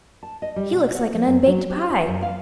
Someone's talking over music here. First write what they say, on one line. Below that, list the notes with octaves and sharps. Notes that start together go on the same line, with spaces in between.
"He looks like an unbaked pie!"
A5
D#5
G3
B2
F#5
F3
F#2
F#3
G4
F4
F#2
F5